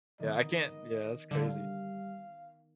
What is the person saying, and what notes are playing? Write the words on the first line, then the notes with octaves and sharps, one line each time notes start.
Yeah I can't yeah, that's crazy.
D#3 B3 D#5
D3 G3 F5